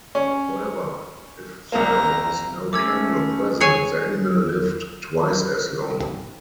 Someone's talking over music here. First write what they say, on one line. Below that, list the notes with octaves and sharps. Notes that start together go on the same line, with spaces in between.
However, if there was no candle present the animal lived twice as long.
C#4
C2 A#3 A#5
A3 C#4 D6 E6 G#6
G#4 C#5 G#5